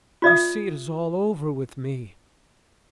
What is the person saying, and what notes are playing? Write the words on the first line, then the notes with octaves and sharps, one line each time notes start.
You see it is all over with me.
F4 D5 E5 D#6